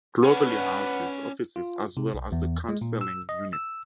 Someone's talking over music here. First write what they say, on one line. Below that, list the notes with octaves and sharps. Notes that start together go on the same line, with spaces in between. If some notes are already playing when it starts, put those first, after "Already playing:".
Cloverly houses offices as well as the counseling unit.
C#4 D4 B4 F#5
F4
C3
B1
E2
G#3
A#2
E6
D#5
E6